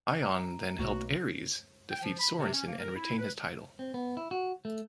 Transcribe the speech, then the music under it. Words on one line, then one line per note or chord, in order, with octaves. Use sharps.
Ion then helped Aries defeat Sorensen and retain his title.
A#5
B1 A3 A#3 F#4
G5
F3
B5
C3
C#4
A#3
A#4
E4
B4
C4
B3
E4
F#4
A3